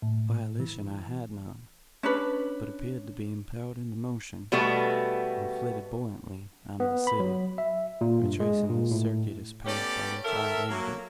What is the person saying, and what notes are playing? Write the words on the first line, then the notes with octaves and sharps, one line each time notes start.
Volition I had none, but appeared to be impelled into motion, and flitted buoyantly out of the city, retracing the circuitous path by which I had entered it.
A2
E3
C#4 D4 B4
B2 G3 A3 B3
B3
B5
F#3
E5
A#2
G2
G#3
A#2
A2
A3 B3 C#4 G4 D5
D#3 A4 A#4 E5
F#3 A#3